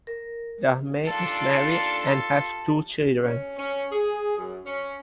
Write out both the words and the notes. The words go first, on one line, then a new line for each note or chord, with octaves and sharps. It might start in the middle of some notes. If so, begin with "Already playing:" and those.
Dahmen is married and has two children.
A#4
D#2 A#2 D4 F4 A4 A5
C#4
C#4
G#4
F#2
C#4